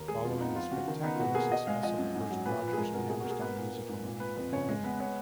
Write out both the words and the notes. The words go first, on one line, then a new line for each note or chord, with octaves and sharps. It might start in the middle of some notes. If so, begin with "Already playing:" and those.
Following the spectacular success of the first Rodgers and Hammerstein musical, Oklahoma!
Already playing: D#2 A#4
G#3 G#4
F2 F4
F4
B3 D#4
F3 F4
C#3 F#4
D#3
B3 D#4
F4
B2 F#4
A#3 G#4
B2 D#5
G#3 F5
F3 D#5
F#2
G#2
F#3
A#2 B4
F3
B4
G#4
G#3 A#4
B2 A#4
A#3 G#4
F#4
A#3
G#4
B3 B4
A#2
A#3
G#2
A#2
A#2 B4
F2 B4
C#3 C#5
G#3
B3 B4
B3 C#5